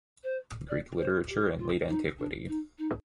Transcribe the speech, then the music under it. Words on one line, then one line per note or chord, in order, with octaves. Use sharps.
Greek Literature in Late Antiquity.
C5
D5
C5
G4
F4
D#4
D4
D#4
D#4